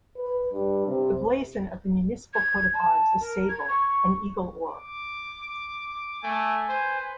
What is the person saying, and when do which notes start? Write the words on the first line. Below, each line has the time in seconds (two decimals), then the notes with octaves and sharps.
The blazon of the municipal coat of arms is Sable, an Eagle Or.
0.16 B4
0.52 G2
0.87 C3
2.34 G#6
2.73 A5
3.20 A#4
3.49 G#6
3.68 C#6
4.70 D6
6.23 A3 G#5
6.69 B4 C5